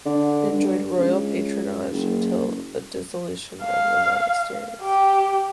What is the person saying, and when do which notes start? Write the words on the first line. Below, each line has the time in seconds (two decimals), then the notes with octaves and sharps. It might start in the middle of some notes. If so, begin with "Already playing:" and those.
It enjoyed Royal Patronage until the dissolution of the monasteries.
0.06 D3
0.50 G2
0.98 C#2
1.92 F#1
3.62 F5
4.82 G4